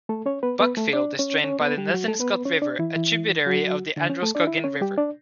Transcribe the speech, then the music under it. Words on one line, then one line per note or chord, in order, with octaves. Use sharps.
Buckfield is drained by the Nezinscot River, a tributary of the Androscoggin River.
A3 A4
C#4 C#5
B3 B4
B3 B4
A3 A4
D4 D5
C#4 C#5
C#4 C#5
B3 B4
G3 G4
F#3 F#4
A3 A4
B3 B4
B3 B4
C#4 C#5
D4 D5
E3 E4
E3 E4
F#3 F#4
D3 D4
C#4
A3 A4
D4 D5
E4 E5
C#4 C#5
G3 G4
D4 D5